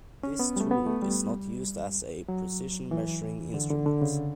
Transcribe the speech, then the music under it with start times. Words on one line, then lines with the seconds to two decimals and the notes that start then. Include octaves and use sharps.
This tool is not used as a precision measuring instrument.
0.23 C#4
0.39 B3
0.56 G3
0.60 A3
0.71 B3
0.86 A3
1.02 G3
2.28 F#3
2.91 E3
3.54 D3
3.70 D3
3.86 D3
4.02 C#3